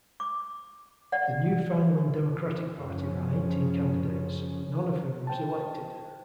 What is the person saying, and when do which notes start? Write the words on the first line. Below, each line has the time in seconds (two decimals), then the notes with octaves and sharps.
The Newfoundland Democratic Party ran eighteen candidates, none of whom was elected.
0.20 D6
1.12 D5 F#5
2.72 F#2 C#3 F3 C#4
5.27 C5 G5 A5